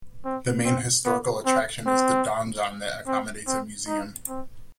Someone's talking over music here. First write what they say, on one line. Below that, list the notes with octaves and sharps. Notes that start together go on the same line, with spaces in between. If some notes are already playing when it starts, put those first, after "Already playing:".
The main historical attraction is the donjon that accommodates a museum.
C4
C4
B3
C4
C4
C4
C4
D#4
C4